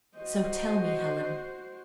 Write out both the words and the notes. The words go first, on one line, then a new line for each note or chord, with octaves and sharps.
So tell me, Helen.'
F#4 C5 D#5